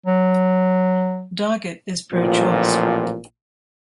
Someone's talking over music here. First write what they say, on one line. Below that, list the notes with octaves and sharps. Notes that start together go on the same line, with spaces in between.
Doggett is pro-choice.
F#3
A1 A#2 F3